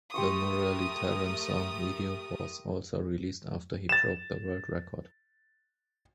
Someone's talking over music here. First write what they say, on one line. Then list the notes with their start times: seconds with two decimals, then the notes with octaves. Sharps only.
The Muralitharan Song video was also released after he broke the world record.
0.14 A3 G4 A#4 C6 C#6 D#6
3.89 A6 E7